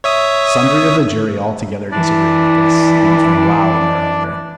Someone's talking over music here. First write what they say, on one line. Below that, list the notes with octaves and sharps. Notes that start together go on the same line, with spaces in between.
Sundry of the jury altogether disagreed with this, and became loud in their anger.
C#5 E5 D#6
E3 D4 D5